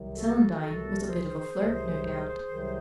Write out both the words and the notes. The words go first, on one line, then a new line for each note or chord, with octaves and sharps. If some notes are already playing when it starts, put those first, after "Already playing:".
Celandine was a bit of a flirt, no doubt.
Already playing: C2 C3 D#3 F#3
F#4 A4
C2 C3 D#3 F#3 F#4 A4
G#4 C5
C2 C3 D#3 F#3
C2 C3 D#3 F#3